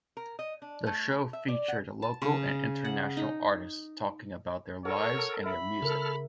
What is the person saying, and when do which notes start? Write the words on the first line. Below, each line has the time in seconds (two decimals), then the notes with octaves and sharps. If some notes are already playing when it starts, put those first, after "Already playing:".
The show featured local and international artists talking about their lives and their music.
0.17 A#4
0.39 D#5
0.62 D4
0.86 A3
1.33 E5
1.48 D5
1.68 F#5
2.02 A5
2.22 C#3
2.85 F#5
3.17 D#4
4.85 A4 A#4 C#5 F#5
5.46 E5 B5
5.82 C#3 A4 A#4 F6